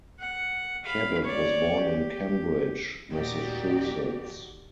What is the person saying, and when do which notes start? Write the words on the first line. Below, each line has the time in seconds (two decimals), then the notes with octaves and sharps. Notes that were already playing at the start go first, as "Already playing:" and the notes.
Cabot was born in Cambridge, Massachusetts.
0.19 F#5
0.84 F5 B5
1.24 C#5 D5
1.79 G4
3.11 D#2 A#2 D#4 F#4 G4 D5